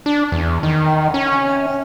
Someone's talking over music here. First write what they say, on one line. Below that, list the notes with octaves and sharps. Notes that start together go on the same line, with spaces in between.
Oh, I know.
D4
E2
D#3
C#4